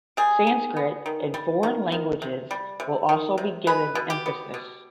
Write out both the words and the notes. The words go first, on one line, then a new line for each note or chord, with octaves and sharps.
Sanskrit and foreign languages will also be given emphasis.
G3 G#4
D#3
B3
D#3
G3
D#3
D#3
C3
G3
C3
D#3
C3
G#3 B4
B2
G4
B3
B2